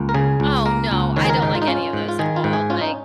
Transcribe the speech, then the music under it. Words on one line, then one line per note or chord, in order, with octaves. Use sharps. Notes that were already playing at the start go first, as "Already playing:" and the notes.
Oh, no, I don't like any of those at all, like
Already playing: C#2 A#3
A#4
C#3 G#4
C#2
A#3 A#4
C#2
D#3 C#5
G#4
A#4
G#2 D#4
F4
D#4
C#4 F4
G#2
F4
D#3 G#4
F4
G#2
G#4
C#4 F4
D#4